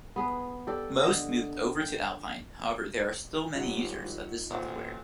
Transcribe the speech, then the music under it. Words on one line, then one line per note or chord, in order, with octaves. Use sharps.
Most moved over to Alpine, however there are still many users of this software.
B3 G#4 B4
G4 A4 D5
D3 D#5
G5
G#1 F#3 G3 D#4 F4 F#4 D#5
A1 A#2 C4 F#4